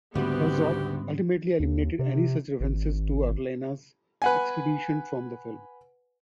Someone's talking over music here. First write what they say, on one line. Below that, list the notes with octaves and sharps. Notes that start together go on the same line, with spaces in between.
Herzog ultimately eliminated any such references to Orellana's expedition from the film.
D2 G#2 C#3 G3 B3 C4 G4
D#2
C3
G#1
B4 F#5 G#5